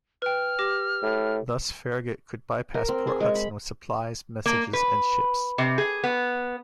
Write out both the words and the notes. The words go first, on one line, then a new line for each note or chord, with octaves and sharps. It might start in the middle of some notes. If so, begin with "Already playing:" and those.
Thus, Farragut could bypass Port Hudson with supplies, messages, and ships.
B4 G5 F6
G4 D6 A#6
A2
A#4
C4
G#4
G#3
B5
A#3
B4
C3
G#4
B3